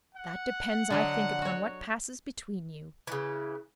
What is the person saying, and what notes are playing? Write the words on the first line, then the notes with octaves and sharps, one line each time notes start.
That depends, I think, upon what passes between you.
F#5
D3 F#3 D#5
F#4 C#5
C#3 E3